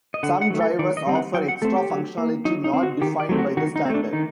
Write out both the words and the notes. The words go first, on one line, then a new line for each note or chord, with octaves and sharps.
Some drivers offer extra functionality not defined by the standard.
D#5
D3 F#5
F#5
F#3 A3
A4
D#3 D5
D#5
G3 C4
F#5
F#3 G5
F#5
A3 C4 A4
G4
F#3
A#3
F#3 D#4
D#4
C4
F#4
D#3 G4
D5
F#3 A3 C4
F#4
D#3 F#4
D#4
C4
A3 D4
D#3 D#4